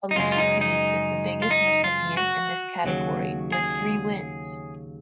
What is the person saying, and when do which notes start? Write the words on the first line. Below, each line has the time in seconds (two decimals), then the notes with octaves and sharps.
Alicia Keys is the biggest recipient in this category with three wins.
0.11 D#4
0.15 F#2 C#3 G#3 F4
0.32 F4
0.38 D#4
0.61 D#4
1.42 F4
1.51 D#4
1.84 F4
2.17 F#4
2.84 D#2 C#3 F#3
3.52 G#4